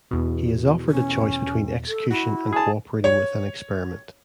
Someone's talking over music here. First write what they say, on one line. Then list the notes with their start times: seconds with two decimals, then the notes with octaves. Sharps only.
He is offered a choice between execution and cooperating with an experiment.
0.11 E2 B2
0.89 C#4
1.88 A4
2.11 E4 F#4
2.53 G#4 A5
3.04 C#5